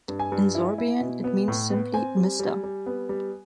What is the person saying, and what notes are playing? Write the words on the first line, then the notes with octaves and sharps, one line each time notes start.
In Sorbian it means simply "Mister".
G2
G#5
G2
E4
E4
B2
B3
A2
B3
C4 G#5
G3
G3
G3
B3
G3